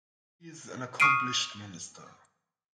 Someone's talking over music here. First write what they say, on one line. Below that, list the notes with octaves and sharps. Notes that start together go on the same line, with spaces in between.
He is an accomplished minister.
C#6 D#6 F6 C7 D7 D#7